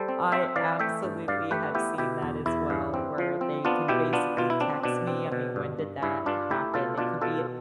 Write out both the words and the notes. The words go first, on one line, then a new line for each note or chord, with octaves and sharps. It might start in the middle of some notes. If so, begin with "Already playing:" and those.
I absolutely have seen that as well, where they can basically text me, I mean, when did that happen? It could be
Already playing: G3 A4 C5
C4
C4 C5 E5
E3 D5 F5
A3 E5 G5
G2
G2 D5 F5
A3 G4 B4
B3 E4 G4
B2 E4 G4
E2
E2 E4
G2
C4
F3
C4
B3 D4 F4
B2 E4 G4
B3 D4 F4
B2 F4
E4
C4 D4
B2 D4
C4
B2
G2
G2
G2 E4
G2 D4 F4
A3 E4 G4
B2 F4 A4
B2 D4 F4
B2 F4 A4